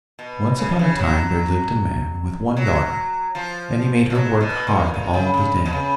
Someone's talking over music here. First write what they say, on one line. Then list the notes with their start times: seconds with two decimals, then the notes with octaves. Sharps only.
Once upon a time there lived a man with one daughter and he made her work hard all the day.
0.19 B2
0.58 C#3
0.69 B2
0.79 C#3
0.98 F#3
2.57 F#3
3.35 F3
4.10 F3
4.15 F#3
4.41 B2
4.67 A#2
4.94 A#2
5.14 C#3
5.34 C#3
5.66 B2
5.73 C#3